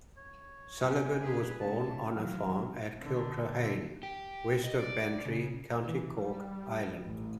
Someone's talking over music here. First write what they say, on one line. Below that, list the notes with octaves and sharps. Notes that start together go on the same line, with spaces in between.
Sullivan was born on a farm at Kilcrohane, west of Bantry, County Cork, Ireland.
C#5
C3 B3 G4 G#5
G4 G#4 B4
C#3 A3 A5
D#3 E3 F#3 F5
D3
G4
D#5
D5
C#3
E3
G3
A1